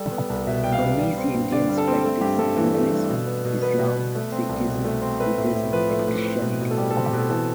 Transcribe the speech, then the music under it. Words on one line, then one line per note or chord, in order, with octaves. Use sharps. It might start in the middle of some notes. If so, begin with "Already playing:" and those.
Burmese Indians practise Hinduism, Islam, Sikhism, Buddhism and Christianity.
Already playing: G3 A4
B3
C2
B2 E5
G3 G5
F5
B3
G3
C4
G2
D3 D5
G3
A4
C4
A3 A4
G2 G4
G2 A4
E3
A3
G2
B2
B3
B2
B3 B4
B2
B3
A3
C4
C2
B2
A3
C4
A3 B4
A2
B4
A2
F3 B4
A3
A2
C4
B2
B2
A4
G3 G4
C4 A4
G4
B2 A4
E3 A4